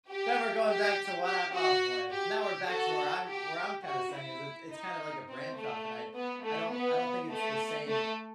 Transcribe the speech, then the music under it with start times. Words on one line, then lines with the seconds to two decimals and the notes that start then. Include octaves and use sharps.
then we're going back to what I've Oh, boy, now we're back to where I'm where I'm kinda saying is it's it's kind of like a branch off, and I d I don't I don't think it's the same,
0.10 G4
0.67 G4
1.25 G4
1.54 F#4
2.12 G4
2.41 G4
2.69 F#4 A4
3.27 G4
3.85 F#4
4.13 E4
4.72 D#4
5.29 C4
5.57 A3
6.15 B3
6.44 A3
6.73 B3
7.31 A3
7.88 A3